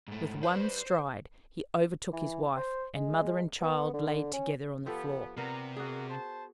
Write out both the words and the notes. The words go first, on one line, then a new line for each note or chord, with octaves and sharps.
With one stride he overtook his wife, and mother and child lay together on the floor.
G#2 A3
B4 C5 D5
E3
C5
G#3
B3
D3
C#4
F3 B3 G4 A4
C3 B3 A#4 D5 F#5 A#5
F#4 G#4 A#4 D5 F#5
C5 A5